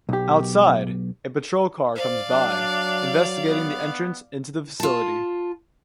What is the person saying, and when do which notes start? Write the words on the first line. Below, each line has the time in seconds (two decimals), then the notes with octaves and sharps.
Outside, a patrol car comes by, investigating the entrance into the facility.
0.09 B1 G4
1.95 C5 D5 F5
2.30 F#3 D4
3.48 B3
4.80 F4 A5